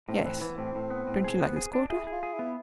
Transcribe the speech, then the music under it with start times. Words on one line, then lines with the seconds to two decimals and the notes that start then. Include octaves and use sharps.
"Yes; don't you like this quarter?"
0.09 A2 C4
0.25 E3 C4
0.41 E3 B3
0.58 A2 C4
0.75 A2
0.90 B3
1.07 A2
1.24 G#4
1.40 B3
1.56 G#4
1.73 D4
1.90 E4 G#4
2.07 G#4
2.12 F4
2.23 G#4
2.34 E4
2.39 B3